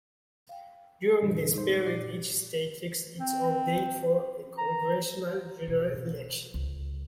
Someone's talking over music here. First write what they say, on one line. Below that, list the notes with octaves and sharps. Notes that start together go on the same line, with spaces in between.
During this period, each state fixed its own date for a congressional general election.
F5 G5
F#2 A#2 D3 E3
G3 G#3 D#4 C5
A#2 G4 D5 A#6 C7
C4
A#5
B2
C#2